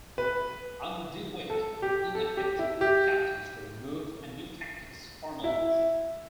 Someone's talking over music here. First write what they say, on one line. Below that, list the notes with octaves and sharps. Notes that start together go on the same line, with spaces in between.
Under De Witt, ineffective captains were removed and new tactics formalised.
B4
A4
G4
A4
G4
E4
G4
E4